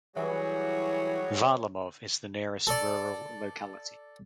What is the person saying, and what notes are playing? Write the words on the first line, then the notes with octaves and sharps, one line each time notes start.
Varlamov is the nearest rural locality.
E3 F#3 G3 F#4 G#4 C#5
A4 D5